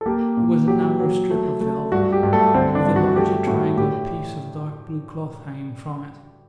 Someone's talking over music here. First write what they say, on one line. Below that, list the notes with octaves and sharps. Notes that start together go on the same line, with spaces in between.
It was a narrow strip of velvet with a larger triangular piece of dark blue cloth hanging from it.
A4
A#3 G4
A#2
F#3 G4
F#3
A3
A3
G2 F#4
G4
G2
A3 A4
D3 C4 C5
D4 D5
G2
F#4
A3 G4
A2 F#4
A2 G4